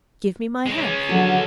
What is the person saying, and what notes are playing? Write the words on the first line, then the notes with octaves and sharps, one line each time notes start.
Give me my half.
G#3 C#4
D3 F#3 A4